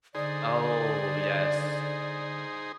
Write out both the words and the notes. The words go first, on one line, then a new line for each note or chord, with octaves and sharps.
Oh, yes.
D3 D#4 G#4 C5 D5